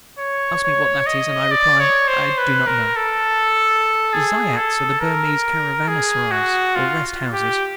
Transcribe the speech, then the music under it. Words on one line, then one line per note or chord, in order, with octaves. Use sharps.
Ask me what that is and I reply 'I do not know.' The zayats are the Burmese caravanserais, or rest-houses.
C#5
C#5
D#5
D5
C#5
C5
B4
A#4
A4
G#4
A4
A#4
G#4
F#4
F4
G4